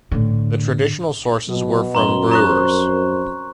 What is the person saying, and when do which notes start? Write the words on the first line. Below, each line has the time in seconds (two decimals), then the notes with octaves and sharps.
The traditional sources were from brewers.
0.11 A2 D3
1.48 B2 F#3
1.95 F#2 A#5 C6 G7
2.31 F2 A#4 C5 A#5 C#6 F#6